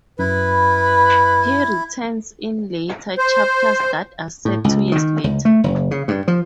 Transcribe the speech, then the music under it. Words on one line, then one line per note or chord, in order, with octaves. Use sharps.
He returns in later chapters that are set two years later.
F#2 E4 B4
C5
A2
C#2
D#3
C#2
A3
F#1
C#3
G2
F3